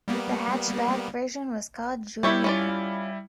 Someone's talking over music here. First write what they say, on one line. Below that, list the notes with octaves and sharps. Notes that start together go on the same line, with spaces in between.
The hatchback version was called "Juliet".
G3 A#3 B3
G3 E4 G4 C#5 E5
C#4 F4 D5